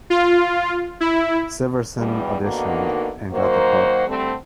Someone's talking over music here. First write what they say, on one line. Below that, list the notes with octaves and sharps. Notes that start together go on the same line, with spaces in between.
Siversen auditioned, and got the part.
F4
E4
E2 G2 B2 G3
D3 D#3 A#3 B3 D#4 F#4
D#3 F#3 A#3 F#4 C5
D3 G3 A3 C4